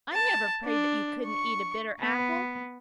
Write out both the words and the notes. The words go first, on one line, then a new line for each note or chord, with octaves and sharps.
I never prayed that you couldn't eat a bitter apple.
A5
D4
C#6
B3